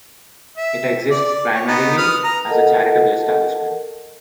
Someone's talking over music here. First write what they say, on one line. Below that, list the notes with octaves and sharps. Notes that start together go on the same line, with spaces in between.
It exists primarily as a charitable establishment.
E5
D5
C#5
B3 D#4
B4 D#6 F6
A#5
A4 A#4 D#5 F#5 A5